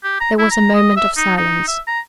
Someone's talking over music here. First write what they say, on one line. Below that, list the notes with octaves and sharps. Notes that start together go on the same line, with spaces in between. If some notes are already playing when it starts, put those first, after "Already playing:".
There was a moment of silence.
G4
A#5
E4
A#5
D#5
E5
D#4
D#4
E5
A#5